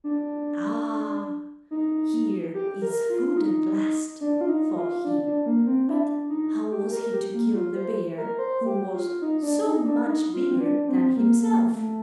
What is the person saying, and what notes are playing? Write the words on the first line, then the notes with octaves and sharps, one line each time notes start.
'Ah! here is food at last!' thought he; but how was he to kill the bear, who was so much bigger than himself?
D4
D#4
G4
A#4
F4
F4
D#4
D4
F4
D#4
F4
D4
D4
A#3
C4
D4
D#4
G4
A#4
G4
A#3
F4
C5
A#4
C5
G4
F4
D#4
D4
D#4
D4
D#4
F4
C4
D4
C4
A#3
A#3
A3